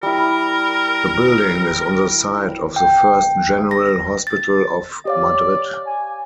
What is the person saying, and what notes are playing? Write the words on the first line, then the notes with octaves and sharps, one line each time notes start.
The building is on the site of the first General Hospital of Madrid.
G3 E4 A#4
G5
A#6
A6
G4 C#5 D5 F5
G#5